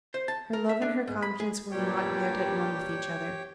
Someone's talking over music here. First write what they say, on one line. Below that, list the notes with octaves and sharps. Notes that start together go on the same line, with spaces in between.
Her love and her conscience were not yet at one with each other.
C5
A5
A#4
E5
D4
G#2
B5
G#4
G2 A#2 G3 G4 C#5 G5